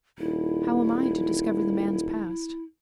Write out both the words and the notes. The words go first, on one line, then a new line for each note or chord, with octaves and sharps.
"How am I to discover the man's past?"
D#1 E4